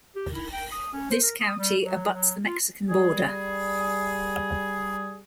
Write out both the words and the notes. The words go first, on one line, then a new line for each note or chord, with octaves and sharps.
This county abuts the Mexican border.
G4
E4
G5
D#6
C#4
C5
A#4
D#6
G3
F#3
F#3
F4
G3 G#4